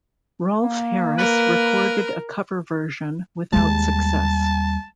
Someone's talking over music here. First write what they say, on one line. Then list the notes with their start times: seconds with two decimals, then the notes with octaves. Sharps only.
Rolf Harris recorded a cover version without success.
0.63 A#3
1.18 A#4 B4
3.53 D#2 G3 G#3 A5